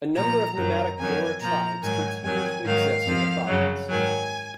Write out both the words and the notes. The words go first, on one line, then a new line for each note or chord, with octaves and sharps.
A number of nomadic Lur tribes continue to exist in the province.
A#2 F3 A#5
F#2 D#3 F#3 A#5
F2 D#3 F#3 G#5
A#2 F3 A#5
G#2 D#3 F#3 G#5
F2 D#3 F#3 G#5
G#2 D#3 F#3 F5
F2 F3
F#2 C#3 F#3
G#2 D#3 F#3 G#5